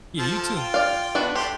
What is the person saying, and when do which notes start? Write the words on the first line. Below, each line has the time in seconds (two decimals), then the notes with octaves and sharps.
Yeah, you too.
0.19 F3 F4 A4
0.56 F4 G5
0.74 D5 F5
1.15 B3 D4 F#4
1.36 A3 D4 G4 C6